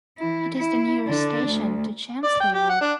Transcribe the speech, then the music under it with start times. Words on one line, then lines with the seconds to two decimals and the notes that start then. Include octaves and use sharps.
It is the nearest station to Chelmsley Wood.
0.18 E3 E4
0.57 E4
1.07 D3 D4
1.48 D2
2.24 D5
2.40 G5
2.55 G4
2.69 F#5
2.81 D4